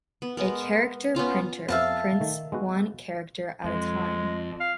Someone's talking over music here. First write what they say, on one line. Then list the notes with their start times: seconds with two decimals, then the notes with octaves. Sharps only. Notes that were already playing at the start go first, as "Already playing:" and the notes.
A character printer prints one character at a time.
0.22 B3
0.37 G#3 B3 A#4
1.15 B3 C#4 F4 F5
1.68 F2 F3 B3 E5 F5 A5
2.20 D#3 A3
2.52 G#3 B3 F#4
3.64 F2 G#3
4.60 F5